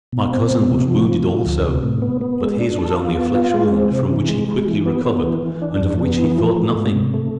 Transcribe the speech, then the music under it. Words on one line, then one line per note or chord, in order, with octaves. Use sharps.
My cousin was wounded also, but his was only a flesh wound from which he quickly recovered and of which he thought nothing.
B2
C4
B2
C3
F3
F3
F3
D2
C3
A2
B3
B3
G#3
D4
A4
F4
B3
F4
G#3
C4
C3
E3
G#3
G#3
E3
B3
B3
E3
E3
D4
F2
B3
E3
F3
A3
G#2
C3
A3